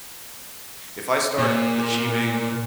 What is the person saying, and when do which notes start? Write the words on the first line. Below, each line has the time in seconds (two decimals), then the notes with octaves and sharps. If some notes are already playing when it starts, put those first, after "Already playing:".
if I start achieving
1.38 A#2